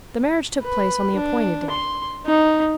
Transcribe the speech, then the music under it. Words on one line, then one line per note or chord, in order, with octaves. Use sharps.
The marriage took place on the appointed day.
B4
D4
C6
D#4